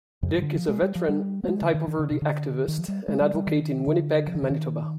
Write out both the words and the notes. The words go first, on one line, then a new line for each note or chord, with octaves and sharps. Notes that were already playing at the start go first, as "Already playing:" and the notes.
Dyck is a veteran anti-poverty activist and advocate in Winnipeg, Manitoba.
F2
G2
C3
D3
F3
G#3
G3
F3
G3
B3
G#3
D3
D#3
D#3
D3
C3
D3
D#3
F3
G3
G#3
G3
G3
D#3
D3
F3
D#3
D3
D#3